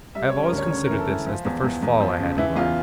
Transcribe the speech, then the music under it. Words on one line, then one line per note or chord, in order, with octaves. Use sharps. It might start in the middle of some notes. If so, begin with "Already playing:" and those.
I have always considered this as the first fall I had in life.
G3 E5
C#5
C#3
A#4
D2
C#5
C#3 C#5
A#4
E3
A4
E3
F3
E2
E2
E2
F3
C#3
E3 E4
E2 F4